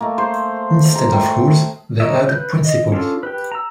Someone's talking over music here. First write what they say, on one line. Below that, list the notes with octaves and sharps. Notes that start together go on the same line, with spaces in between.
Instead of rules, they had principles.
A3 A#3
C5
A#5
A3 G5 C6 C#6
D4 A#4 C#5 D#5 E5
B4 G6
D#5
C#4 D4 F4 A4
G4 B4
A#5 E6